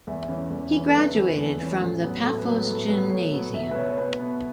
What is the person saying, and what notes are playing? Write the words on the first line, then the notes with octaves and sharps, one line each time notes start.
He graduated from the Paphos Gymnasium.
E2 E5
E3 C#4
E2
E3 C#4
A4
E2 B4
E3 C#4
E2
E3 C#4
A2
F#3 B3
A2 A4
B4
F#3 B3
B4
A2 B4
F#3 B3 B4
A2 C#5
F#3 B3
B2 E5
B4
B3 C#5
C#5
B2 B4
B3